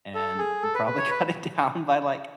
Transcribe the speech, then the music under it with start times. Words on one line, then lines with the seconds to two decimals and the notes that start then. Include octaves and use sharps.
and probably cut it down by, like,
0.15 A4
0.38 G#4
0.62 A4
0.75 B4
0.86 B4
0.98 C#5
1.11 B4